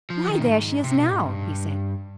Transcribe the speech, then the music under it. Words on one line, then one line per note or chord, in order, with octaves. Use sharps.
"Why, there she is now!" he said.
F3
D#3
B2
G#2
C3
B2
G#2
G2